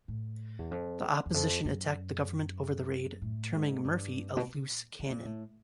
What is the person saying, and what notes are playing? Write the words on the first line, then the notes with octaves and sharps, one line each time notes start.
The Opposition attacked the Government over the raid, terming Murphy a "loose cannon".
A2
E2
F2
E2
F2
F#2
A2
G#2
G2
B2
A#2
B2
A#2
A2